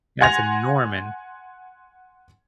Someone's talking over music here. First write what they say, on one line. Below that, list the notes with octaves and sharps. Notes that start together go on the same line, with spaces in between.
Yeah, that's in Norman.
F#5 G#5 C6 G#6 A#6 F7